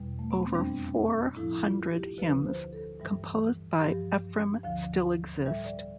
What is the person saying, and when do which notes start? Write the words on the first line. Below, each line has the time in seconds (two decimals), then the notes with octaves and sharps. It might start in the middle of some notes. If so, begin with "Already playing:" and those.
Over four hundred hymns composed by Ephrem still exist.
Already playing: E2 B2 G3
0.19 A3
0.31 B3
0.43 C4
0.54 F2 C3 G3 D4
1.36 A2 F3 E4
1.63 F4
1.91 G4
2.18 D2 D3 F3 B4
2.45 C5
2.73 A4
3.00 G2 E3 G3
3.81 G2 F3 G4
4.63 D2 D3 F3 F5
5.45 A2 G3 E5
5.65 D5